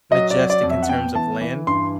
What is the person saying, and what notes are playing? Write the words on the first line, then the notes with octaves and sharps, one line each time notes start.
majestic in terms of land?
F#3 D#5
D5
F#3
D5
F2
E5
F#5
B3 G5
E3 A5
E3
G2 C6